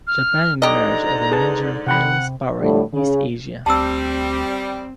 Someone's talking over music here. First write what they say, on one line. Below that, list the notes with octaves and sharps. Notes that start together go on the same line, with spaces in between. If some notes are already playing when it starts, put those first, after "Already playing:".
Japan emerged as a major imperialist power in East Asia.
F6
G#2 D3 G4 D#5 A#5
G#4 B4 A5
C3 F#5 G5 B5
A2 D3 F3 G3 A3
C#3
D2 G3 C4 A5 E6